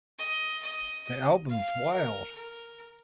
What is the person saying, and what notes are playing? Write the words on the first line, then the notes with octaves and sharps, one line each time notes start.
The albums Wild!
D#5
D#5
F5
A#4
A#4